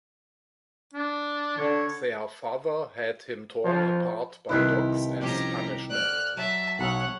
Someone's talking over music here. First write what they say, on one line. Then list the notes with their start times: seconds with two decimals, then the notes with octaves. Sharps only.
Their father had him torn apart by dogs as punishment.
0.94 D4
1.58 D3 C#5
3.64 F3
4.49 C2 D#3 E4 G4 B4
5.21 F3 C4 C#4 G4 A#5
5.90 D2 D5 F6 F#6
6.37 F#3 E5 A5
6.79 B1 C#5 F#5